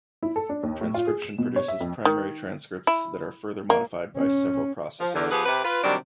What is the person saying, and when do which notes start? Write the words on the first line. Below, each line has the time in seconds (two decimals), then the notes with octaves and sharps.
Transcription produces primary transcripts that are further modified by several processes.
0.23 E4
0.36 A4
0.49 D4
0.63 D#2
0.81 A2
0.94 F4
1.07 G#4
1.22 E7
1.38 B2
1.56 C#5
1.68 E5
1.80 F2
2.05 D#3
2.87 E4
3.70 A#3
4.16 C#4
4.99 F3
5.15 E2 D3
5.31 F3 B3 G4 G#4 B4
5.46 C3 B4
5.64 F4 B4
5.84 C3 D#3 F#3 G3 D4